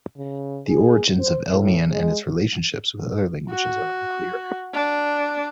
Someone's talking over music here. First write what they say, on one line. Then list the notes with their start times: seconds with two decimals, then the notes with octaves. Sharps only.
The origins of Elymian and its relationships with other languages are unclear.
0.17 C#3
0.67 G#4
1.20 C5
1.52 A2
1.91 G#3
3.51 F#4
4.74 D4